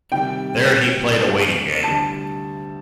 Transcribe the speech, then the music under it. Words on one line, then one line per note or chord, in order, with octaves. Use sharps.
There he played a waiting game.
C3 D#3 G3 G5
D2 D3 G3 A5